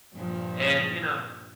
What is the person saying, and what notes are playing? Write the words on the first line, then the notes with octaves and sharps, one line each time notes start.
and, you know
G2 A#2 F3